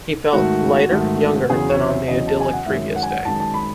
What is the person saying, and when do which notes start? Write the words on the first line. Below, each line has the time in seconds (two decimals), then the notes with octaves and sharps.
He felt lighter, younger, than on the idyllic previous day.
0.33 G#2 D#3 A3 F#4
0.91 G#2 D#3 A3
1.50 E2 C#3 F#3 G#4
1.70 C#5
1.89 E5
2.08 E2 C#3 F#3 D#5
2.27 A5
2.40 G#5
2.53 F#5
2.66 F#2 D#3 G#3 E5
2.96 F#5
3.03 G#5
3.11 F#5
3.25 F#2 D#3 G#3 A5
3.40 A5
3.54 B5